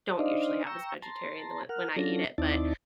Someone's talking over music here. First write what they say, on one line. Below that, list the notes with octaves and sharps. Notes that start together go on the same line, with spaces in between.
don't usually have as vegetarian, the one when I eat it, but,
D4 D#4 C5 D5 D#5 F5
G5 A#5 C#6 E6
A5 A#5 C6
A#4 F#5 F6
F#3 C#4 D4 F4 A4 A#6
D#2 C4 D#4 E4 D5 A5